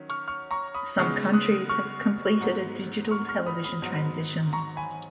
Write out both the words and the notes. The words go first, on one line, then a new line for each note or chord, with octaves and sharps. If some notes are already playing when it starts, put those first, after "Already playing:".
Some countries have completed a Digital television transition.
Already playing: D#3 F#3 C#4
C#6 F6
C#6 F6
A#5 C#6
B5 D#6
C#3 G#3 B3 D#4 C#6 F6
D#6 F#6
C#6 F6
G#2 F#3 B3
C#6 F6
C#6 F6
B5 D#6
B5 D#6
G#2 F#3 B3
A#5 C#6
G#5 B5